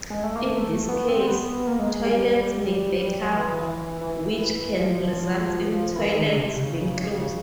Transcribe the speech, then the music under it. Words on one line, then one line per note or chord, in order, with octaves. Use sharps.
In this case, toilets may back up, which can result in toilets being closed.
G#3
A3
A#3
A3
B3
C4
C4
B3
A#3
G#3
G#3
G3
F#3
E3
E3
E3
E3
F3
F3
E3
E3
D#3
D3
C3
C#3
C#3